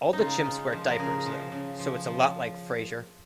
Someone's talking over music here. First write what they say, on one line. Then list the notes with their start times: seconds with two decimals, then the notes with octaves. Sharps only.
All the chimps wear diapers, though, so it's a lot like "Frasier".
0.13 D#4
0.18 C#3 F4
0.46 G#3
0.72 F3
0.90 A#4
0.99 C#3 G#4
1.26 F3
1.52 C#3
1.79 F3
2.06 F3